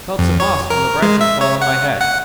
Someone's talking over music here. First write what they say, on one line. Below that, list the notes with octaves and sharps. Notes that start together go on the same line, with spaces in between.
I felt some moss from the branches fall on my head.
F2
C#5
A#4
G#3
E5
C#5
F#5
F#5